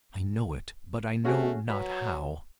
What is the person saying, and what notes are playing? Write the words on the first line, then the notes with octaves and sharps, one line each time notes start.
I know it, but I know not how.
A3 C#4 F#4 G#4
F#3 B4